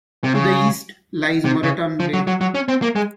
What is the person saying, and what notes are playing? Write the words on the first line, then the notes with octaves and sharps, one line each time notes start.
To the east lies Moreton Bay.
C3
C#3
C3
C#3
F3
F#3
F#3
F#3
C#4
C4
A#3
G#3